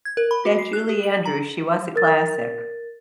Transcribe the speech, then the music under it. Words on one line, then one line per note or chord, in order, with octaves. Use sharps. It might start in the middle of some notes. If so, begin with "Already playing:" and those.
That Julie Andrews, she was a classic.
G#6
A#4
B5
F#4
C7
F#6
G4
F#7
A#5
A#4 A6